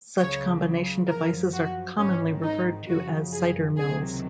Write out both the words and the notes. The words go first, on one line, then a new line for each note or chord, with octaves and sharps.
Such combination devices are commonly referred to as cider mills.
C#2 C#3 F#3 C#5
F#2 F3 A#4
F#4
G#1 G#2 D#3 C#4
D#4
F#2 C#3 F3 F#4
G#4
C#2 C3 D#3 F#3 G#4